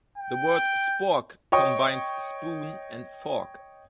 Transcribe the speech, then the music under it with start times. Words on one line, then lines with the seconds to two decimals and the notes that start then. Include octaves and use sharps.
The word "spork" combines "spoon" and "fork".
0.18 G5
1.52 C#5 D#5 G5 C#6 D#6